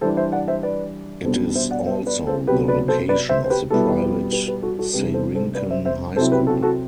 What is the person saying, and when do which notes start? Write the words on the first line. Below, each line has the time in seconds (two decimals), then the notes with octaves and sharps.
It is also the location of the private Seirinkan High School.
0.01 E3 G3 D4 A4 C5
0.17 C5 E5
0.32 D5 F#5
0.48 C5 E5
0.63 B4 D5
1.24 B2 G3 B3 D4 A4 C5
1.55 C5 E5
1.71 D5 F#5
1.86 C5 E5
2.06 B4 D5
2.27 A4 C5
2.47 C3 F#3 B3 G4 B4
2.68 B4 D5
2.88 A4 C5
3.09 B4 D5
3.29 C5 E5
3.44 C5
3.50 G4 B4
3.70 B2 G3 B3 E4 F#4 A4
4.32 G4 B4
4.47 G4 B4
4.62 F#4 A4
4.78 F#4 A4
4.93 C3 G3 D4 G4 B4
5.14 A4 C5
5.35 A4 C5
5.55 B4 D5
5.70 C5 E5
5.85 C5 E5
6.16 C3 F#3 C4 E4 A4 C5
6.32 G4 B4
6.47 F#4 A4
6.62 F#4 A4